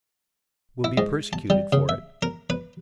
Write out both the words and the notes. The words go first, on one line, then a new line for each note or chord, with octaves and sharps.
We'll be persecuted for it.
E4
G#2
A5
G3
C#3
E5
A#4
B4